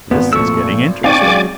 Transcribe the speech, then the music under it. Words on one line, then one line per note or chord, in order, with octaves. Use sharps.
This is getting interesting!
G#1 B3
A#2 F3 A3 C#6 E6
C4 D#4 D5 F5 G5 G#5 C#6 D6
F#3 G#3 C#4